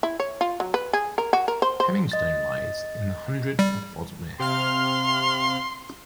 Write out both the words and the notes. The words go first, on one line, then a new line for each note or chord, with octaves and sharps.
Hemingstone lies in the hundred of Bosmere.
E4
C#5
F4
F#3
B4
G#4
A#4
F#4
A#4
C5
C5
D#5 A6
G3
C3 F5 C6 F6